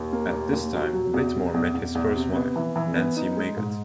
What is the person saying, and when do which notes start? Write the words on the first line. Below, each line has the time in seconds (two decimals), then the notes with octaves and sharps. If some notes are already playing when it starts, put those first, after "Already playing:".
At this time, Whitmore met his first wife, Nancy Mygatt.
Already playing: D#2
0.13 A#3
0.33 D#2
0.53 D#2
0.73 F#3
0.93 F#3
1.14 E2
1.34 C3
1.54 E2
1.75 E2
1.95 E2
2.15 C3
2.36 B3
2.56 E3
2.76 E3
2.96 B3
3.16 D#4
3.37 G#3
3.57 G#2